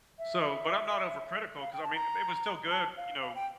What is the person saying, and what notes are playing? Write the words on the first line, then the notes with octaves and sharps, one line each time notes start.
So but I'm not overcritical, 'cause, I mean, eh, it was still good, you know?
E5
F5
G5
A5
A#5
A5
F5
F5
G5